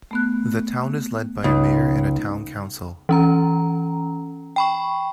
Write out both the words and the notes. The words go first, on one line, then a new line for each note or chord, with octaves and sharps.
The town is led by a mayor and a town council.
A3 B3 F#6
C#2 D#4 D#6
E3 C#4 A#5
G5 B5 C#6